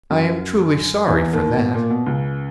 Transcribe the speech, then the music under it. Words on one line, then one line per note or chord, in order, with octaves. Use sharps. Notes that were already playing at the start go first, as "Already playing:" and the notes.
"I am truly sorry for that."
F#2 F#3
E2 E3
D#2 D#3
B2
A#2
B2
C#2 C#3